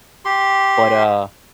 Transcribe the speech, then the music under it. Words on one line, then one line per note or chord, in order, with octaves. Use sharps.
but, uh,
G4 C6